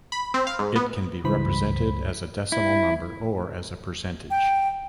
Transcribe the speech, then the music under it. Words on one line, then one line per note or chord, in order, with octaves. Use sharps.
It can be represented as a decimal number or as a percentage.
B5
C4
F5
G#2
B3
C#2 G2 E3 C5 B5 B6
E4
G5